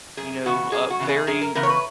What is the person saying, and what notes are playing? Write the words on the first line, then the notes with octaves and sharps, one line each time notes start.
you know, uh, very
F#2 G#4
C#3 E3 B3 F#4
F#2 G#4
F#4
C#3 E3 B3
G#4
F#2 G#4
A#4
C#3 E3 B3 A#4
C#5
B4